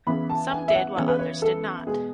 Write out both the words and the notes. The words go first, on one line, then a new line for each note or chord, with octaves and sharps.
Some did, while others did not.
C#3 E3 B3 B5
A5
G#5
E5
F#5
C#3 E3 B3 C#5
B4
C#5
A4
B2 G#3 B3 G#4